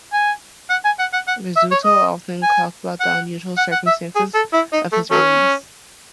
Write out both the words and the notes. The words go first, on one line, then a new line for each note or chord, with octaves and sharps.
Rizzuto often talked about the unusual circumstances of his release.
G#5
F#5
G#5
F#5
F#5
F#5
E5
C#5
D#5
G#5
F#5
F#5
F#5
E5
G#4
A4
E4
D#4
A3
F#3 A3 C#4